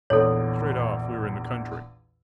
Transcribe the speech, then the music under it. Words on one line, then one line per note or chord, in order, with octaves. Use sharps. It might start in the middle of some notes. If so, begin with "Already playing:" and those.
Straight off, we were in the country.
A#1 E2 A4 C#5